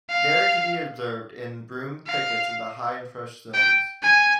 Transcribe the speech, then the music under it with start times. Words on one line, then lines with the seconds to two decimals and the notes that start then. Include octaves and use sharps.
There it could be observed in broom thickets in the high and fresh zones.
0.09 F5
2.07 F5
3.54 G5
4.03 G#5